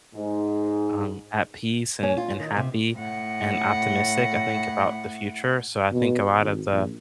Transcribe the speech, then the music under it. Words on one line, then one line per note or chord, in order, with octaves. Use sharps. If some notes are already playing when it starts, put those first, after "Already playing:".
um, at peace and and happy, and optimistic, I think, about the future so, I think a lot of the,
G#2
C#4
F4
D#3
C3
A2 F#5
B2
G#1
A#1